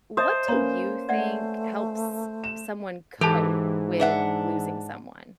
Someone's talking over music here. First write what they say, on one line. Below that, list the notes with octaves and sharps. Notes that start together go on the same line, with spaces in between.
what do you think helps someone cope with losing someone?
C5 D#5 E5 D#6
A#3 C#4 B4 C#5 A#5
A3 D5 E5 F#5
E7
G#2 E3 G4 A4 A5
D4 E5 F#5